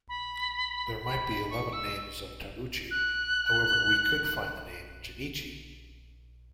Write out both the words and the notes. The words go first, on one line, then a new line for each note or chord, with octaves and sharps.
There might be eleven names of Taguchi, however we could find the name Genichi.
B5
B5
C#6
E6
F#6